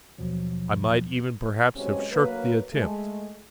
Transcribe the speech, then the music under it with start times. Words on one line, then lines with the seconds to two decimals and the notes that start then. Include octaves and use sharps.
I might even perhaps have shirked the attempt.
0.18 D#2 B2 F3 F#3
1.75 A2 C3 F#3 G#3 B3 C#4
2.11 D2 F#3 A#3 B4
2.73 G#3 A3